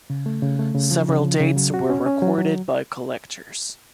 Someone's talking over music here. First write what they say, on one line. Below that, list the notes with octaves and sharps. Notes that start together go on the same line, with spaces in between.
Several dates were recorded by collectors.
C#3
A3
C#3
A3
C#3
F3
C#3
F3
C#3
F#3
F#4
C#4
C#4
F#3
F#3